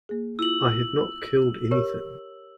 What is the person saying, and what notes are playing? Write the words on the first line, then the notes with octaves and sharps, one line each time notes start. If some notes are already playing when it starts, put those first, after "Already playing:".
I have not killed anything.
A#3 G#4
E4 F4 E6 F#7
G4 A#4 C#5